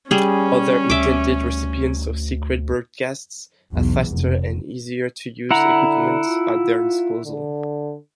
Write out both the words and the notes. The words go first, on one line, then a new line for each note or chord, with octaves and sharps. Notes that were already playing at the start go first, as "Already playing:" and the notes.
Other intended recipients of secret broadcasts have faster and easier-to-use equipment at their disposal.
G3 C#4 G#4
D2 E5 D6
B1 E2
F1
D3 E4 F#5 A#5
F4
D3